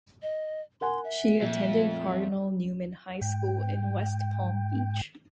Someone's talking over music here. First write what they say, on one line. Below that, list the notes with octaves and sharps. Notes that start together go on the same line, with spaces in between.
She attended Cardinal Newman High School in West Palm Beach.
D#5
A#4 F#5 G#5 C6
E5
F2 A#2
G#2 G5